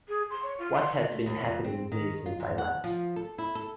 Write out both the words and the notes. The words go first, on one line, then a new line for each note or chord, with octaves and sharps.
What has been happening here since I left?
G#4
C6
C#5
F4
C6
A3
D#2
F2
C4
D#3
F4
G#2
F#5
F3
A4
E4
A4